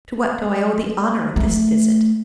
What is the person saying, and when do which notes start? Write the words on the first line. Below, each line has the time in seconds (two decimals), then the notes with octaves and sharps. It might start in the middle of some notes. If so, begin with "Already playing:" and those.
"To what do I owe the honour of this visit?"
1.36 A3